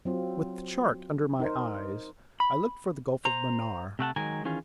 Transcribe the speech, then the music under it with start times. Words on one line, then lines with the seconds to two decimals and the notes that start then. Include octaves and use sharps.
With the chart under my eyes, I looked for the Gulf of Mannar.
0.05 F#3 C4 F4
1.40 D#4 A#4 C5
2.40 B5
3.25 C5 A#5
3.99 C3 A3 F#5 A5
4.16 D#3 F#3 G#3 A#4 G#5
4.44 D#3 E3 C#4 F4 G#4